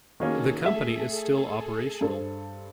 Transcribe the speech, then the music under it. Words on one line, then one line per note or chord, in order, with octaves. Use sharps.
The company is still operational.
D#3 A#3 C#4 F#4 G#4 A4
A3 E5
G2 A4 C5